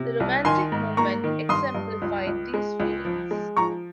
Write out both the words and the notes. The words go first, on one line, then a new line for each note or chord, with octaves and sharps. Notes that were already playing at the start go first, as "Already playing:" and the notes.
The Romantic movement exemplified these feelings.
Already playing: C3
C2
D#3 G#5 C6
G#2
A#3 A#5 C#6
D#3
G2 C6 D#6
G2
C#2
C#2
G#3
C#2
F3
G#3
F3 A#5 C#6